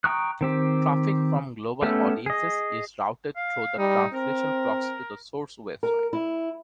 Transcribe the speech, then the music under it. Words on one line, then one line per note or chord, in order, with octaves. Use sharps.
Traffic from global audiences is routed through the translation proxy to the source website.
G5 A#5 C#6 D#6 F#6
D#3 C4 G4
A3 B3 C#4 G4 A4
G#4 D#5
F5
G3 D#4
C4 A#4
A#4
E4